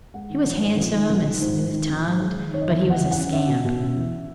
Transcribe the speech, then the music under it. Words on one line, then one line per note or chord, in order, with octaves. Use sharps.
He was handsome and smooth-tongued, but he was a scamp.
G#3 F#5
D#3
A#1
G#2
A#1
D#3
A#1
D#3
G#2
G#2
D#3
A#1
G#2
G#3
D#3
D#3 C#5
D#5
E2 E5
E2
F#5
E2
F#5
C#4
C#4 E5
B2
B2
C#4
E2